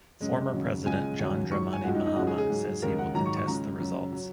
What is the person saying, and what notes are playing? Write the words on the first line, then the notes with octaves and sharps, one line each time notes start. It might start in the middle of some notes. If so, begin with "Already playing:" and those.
Former President John Dramani Mahama says he will contest the results.
F#2 C#3 G#3
D#2 C#3 F#3
C#2 C#3 G#3 G#5
D#2 C#3 F#3
G#2 F#3 C#6
G#5
C#2 C#3 G#3 F#4
D#4
D#4
C#2 C#3 G#3 F#4
G#4
G#4
G#2 F#3
D#2 C#3 G#3 A#4
F#5
G#2 D#3 F#3 A#5
C#6
C#6
C#2 C#3 G#3 A#5
F#2 C#3 F#3
F#3